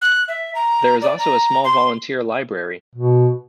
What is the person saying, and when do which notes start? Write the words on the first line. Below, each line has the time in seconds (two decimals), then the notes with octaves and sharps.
There is also a small volunteer library.
0.02 F#6
0.28 E5
0.55 A#5
1.02 D5
1.19 A#5
1.64 C6
2.95 B2